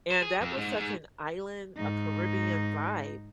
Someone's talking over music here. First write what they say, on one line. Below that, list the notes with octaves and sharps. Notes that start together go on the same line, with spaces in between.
and that was such an island, a Caribbean vibe,
C5
G#4
F2
G#2
G#2
G#2 D#4